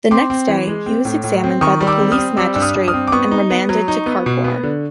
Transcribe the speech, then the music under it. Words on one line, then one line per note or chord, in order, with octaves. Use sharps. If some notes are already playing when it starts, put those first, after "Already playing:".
The next day he was examined by the Police Magistrate and remanded to Carcoar.
C4 C6 D6
C4
E3
G#3
C4
A2
A2
C4
D#3 C#6 D#6
G3
D6 E6
C4
D#6 F6
C4
G3 D6 E6
G2 E6
D#6 F6
G2
D#6 F6
C4
D6
B3 C#6 D#6
D#4
B3
F#3
D#4
B3
B2
B3
D3